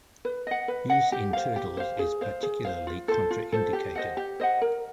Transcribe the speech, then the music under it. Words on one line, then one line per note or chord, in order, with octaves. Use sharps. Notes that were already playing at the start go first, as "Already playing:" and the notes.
Use in turtles is particularly contraindicated.
B4
D#5 F#5
B4
D#5 F#5
G4
C5 F5
G4
C5 F5
G#4
C5 F5
G#4
C5 F5
F4
A4 C5
F4
A4 C5
G4
C5 D#5 F#5
G4
C5 D#5 F#5
A#4